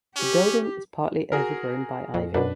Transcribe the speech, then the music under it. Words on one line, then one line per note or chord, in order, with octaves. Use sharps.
The building is partly overgrown by ivy.
C#4 G4
F#4 G#4 A#4
F2
F#2 B2 D4 B4